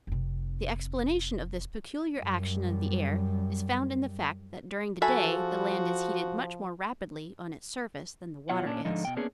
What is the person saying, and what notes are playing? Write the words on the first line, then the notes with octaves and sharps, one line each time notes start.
The explanation of this peculiar action of the air is found in the fact that during the day the land is heated much more rapidly on its surface than the water is.
F1 C3
F#2 G3
F3 F#4 G#4 A4 E5 B5
B2 F#3 F4 C#5 F#5
A#2 C#4 D4
G#2 D3 F3 D#4
B2 G5
A#3 B3 C#4 D4 G#4